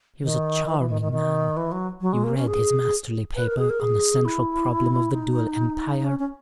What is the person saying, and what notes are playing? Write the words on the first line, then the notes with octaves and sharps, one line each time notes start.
He was a charming man; you read his masterly paper on the Central Problem of the Dual Empire?'
D#3
E3
E3
D#3
D#3
D#3
E3
F#3
F#3
G#3
A#3
C#4
G#4
B4
A#4
G#4
A#4
G#4
E4
D#4
C#4
C#4